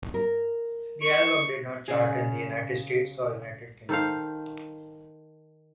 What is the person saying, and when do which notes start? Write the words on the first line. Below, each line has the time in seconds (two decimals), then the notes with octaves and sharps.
The album did not chart in the United States or United Kingdom.
0.14 A#4
1.02 C#6
1.88 C#3 G#4
3.89 D#3 A4 C5 F5